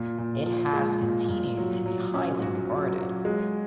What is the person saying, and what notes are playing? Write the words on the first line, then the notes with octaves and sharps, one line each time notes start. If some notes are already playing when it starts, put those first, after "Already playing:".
It has continued to be highly regarded.
Already playing: A#2
A#2
F3
G#3
A#2
A#2
F#3
F#3
C#4
F#4
F#3
F#3
G#3